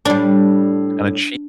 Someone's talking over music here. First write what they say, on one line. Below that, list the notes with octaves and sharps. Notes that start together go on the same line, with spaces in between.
Kinda cheek.
A2 G3 D4